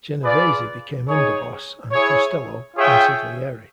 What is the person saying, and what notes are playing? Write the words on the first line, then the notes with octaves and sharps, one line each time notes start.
Genovese became underboss and Costello "consigliere".
F4 G#4 B4 D5
D#4 G#4 C#5
E4 G#4 C#5
F4 G#4 C#5 E5 G5